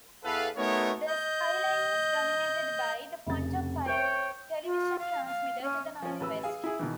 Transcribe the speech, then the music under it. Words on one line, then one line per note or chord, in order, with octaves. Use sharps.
The skyline is dominated by the Pontop Pike Television Transmitter to the northwest.
E2 A4 B4 F5
A3 B3 D#4 F#4 A#4 C#5
D#5 G6
F1 C#3 A6
A#4 C5 C#5 E5 G5
F4
F5
F5
C#4
F3 C#4
A1 B4 E6
G#4 F5 G#5
E4 G#4
B2 D#3 E3